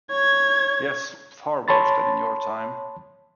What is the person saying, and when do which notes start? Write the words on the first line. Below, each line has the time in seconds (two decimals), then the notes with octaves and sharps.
Yes, far worse than in your time.
0.11 C#5 G#6
1.68 C#5 A5 B5 C6 A6